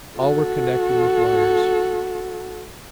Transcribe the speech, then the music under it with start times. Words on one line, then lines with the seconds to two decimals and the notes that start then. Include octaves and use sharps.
All were connected with wires.
0.18 F#4 A4